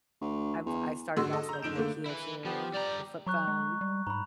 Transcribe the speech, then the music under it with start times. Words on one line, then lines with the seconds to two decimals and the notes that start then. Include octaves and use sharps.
I've I started off, like, Nokia too, the flip phone,
0.21 D2
0.66 E2
1.17 G#2 D3 F#4 C6 E6
1.33 A4 D#5
1.49 A#5 G6
1.62 F#1 D#4 D7 E7
1.75 D3 A3 A#3
2.06 E4 B4
2.45 F3 B3 G4
2.74 G3 D5 A#5
3.27 F#3 A#5 C#6 F#6
3.48 G#3
3.81 G3
4.07 G#2 A#5 B5